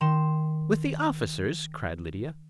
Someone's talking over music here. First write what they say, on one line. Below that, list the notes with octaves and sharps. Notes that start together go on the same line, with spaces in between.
"With the officers!" cried Lydia.
D#3 C6 E7